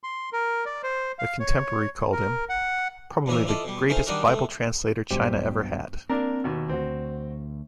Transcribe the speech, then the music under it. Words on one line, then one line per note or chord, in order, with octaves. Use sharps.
A contemporary called him "Probably the greatest Bible translator China ever had".
C6
A#4
D5
C5
F5
C#5
A#4
F#5
D2 G2 C#3 E3 A#4 E5
E4 F4 A4 D5 D#5
B2 G3
A3 D#4 G#4 C5 F5
D#3 G3 D4 D#4 F#4 A#4
G#3 A3
B1 G2 B2 G4 C5
A#3 C4 D4 A#4
D#2 B2
D2 C4 F#4